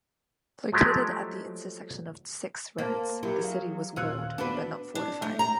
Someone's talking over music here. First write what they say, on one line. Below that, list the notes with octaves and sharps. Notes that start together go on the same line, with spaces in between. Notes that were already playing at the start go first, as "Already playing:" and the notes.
Located at the intersection of six roads, the city was walled but not fortified.
F3 F#3 G#3 A3 G4
A#3 C5 A5
F#3 E4 G4 A#4
G#4 F5
D#1 F4 C#5 E6 F#6
B3 D4 F#4 B4
D4
A3
A#5